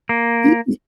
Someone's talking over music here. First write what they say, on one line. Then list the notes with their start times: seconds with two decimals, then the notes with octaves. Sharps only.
Y y
0.09 A#3